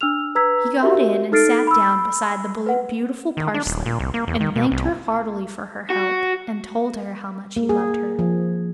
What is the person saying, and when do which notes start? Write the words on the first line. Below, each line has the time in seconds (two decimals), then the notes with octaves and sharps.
He got in and sat down beside the beautiful Parsley, and thanked her heartily for her help, and told her how much he loved her.
0.01 D4 E6 F6 F7
0.35 B4 A#5 E6 G#6 B6
0.82 F#4 G4 A#4 E5
1.32 D#4 A4 F6 A6 C7 D7
1.67 B5 E6
2.66 B4 F#5
3.37 D#3
3.54 D4
3.66 D#1
3.86 A#2
4.00 C2
4.14 A#3
4.28 E2
4.41 D#3
4.56 B2
4.72 C2
5.90 F#4
7.56 A#3
7.69 G#4
8.19 F3